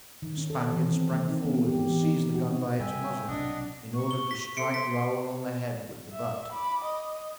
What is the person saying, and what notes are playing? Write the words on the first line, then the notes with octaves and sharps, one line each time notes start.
The Spaniard sprang forward and seized the gun by its muzzle, in order to strike Raoul on the head with the butt.
D#3
C#4
A4
E3
C4
A#3
D#4
B3
G4
E3
D#4
F#4
G2 C3 E5 G5 G#5
B1 C3 F#3 D4 D#5 F#5
C#6
G7
B6
A4 E5 C6 C#7 D7
C6 B6
E5
B5 D6
D#5